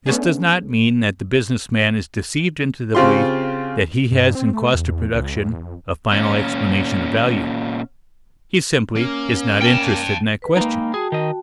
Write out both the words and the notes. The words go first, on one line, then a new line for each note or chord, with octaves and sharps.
This does not mean that the business man is deceived into the belief that he has in cost of production a final explanation of value. He simply is not interested in that question.
A3 B3 C#4 D4 G#4
C#3 C4 F4 G4 C6
G2
C4
A3
E2
C#2
E2
F2
A#2 C#4
A#3 C#4
G5 A5
B4
G#3 A#3 D#4 G5 B5
F#4 G#4 G5 A5
D#3 D#5